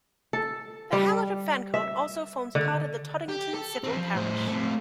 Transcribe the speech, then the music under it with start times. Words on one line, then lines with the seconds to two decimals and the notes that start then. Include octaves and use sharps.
The hamlet of Fancott also forms part of the Toddington civil parish.
0.33 A4
0.93 G3
1.74 E5
2.55 D3
3.28 G4
3.54 A4
3.84 E3 C4
3.97 F3
4.15 A2 C5
4.48 A3 C4